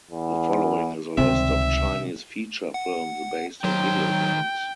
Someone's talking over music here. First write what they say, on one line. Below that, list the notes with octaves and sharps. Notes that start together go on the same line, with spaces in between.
The following is a list of Chinese feature films based on video games.
E2
C#2 C3 D#3 G3 C4 E5
F#5
D#3 F#3 C5 G5